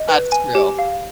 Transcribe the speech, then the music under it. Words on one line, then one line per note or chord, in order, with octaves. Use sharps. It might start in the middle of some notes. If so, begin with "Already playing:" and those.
That's true.
Already playing: D#5
B4
G#5
G4
F5